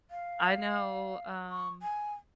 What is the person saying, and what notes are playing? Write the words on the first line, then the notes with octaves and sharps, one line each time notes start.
I know, um,
F5
C#6
G#5